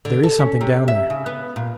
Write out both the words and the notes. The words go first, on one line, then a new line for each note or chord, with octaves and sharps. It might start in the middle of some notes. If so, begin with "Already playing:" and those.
"There is something down there."
D3
A4
C#4
C3
E5
C#3
B3
A#2